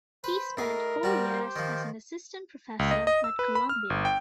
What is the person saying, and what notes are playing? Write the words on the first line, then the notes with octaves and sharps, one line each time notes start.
He spent four years as an assistant professor at Columbia.
B4 C5 B5
A2 G#4 A#4 D#5
G3 F#4 G4 C5 G5
D#3 F3
C#2
D#5
D#5
E6
B4
B5
F6
G1
G5